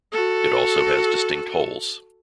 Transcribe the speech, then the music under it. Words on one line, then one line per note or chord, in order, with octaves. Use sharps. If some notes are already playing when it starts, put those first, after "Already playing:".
It also has distinct holes.
F#4 A4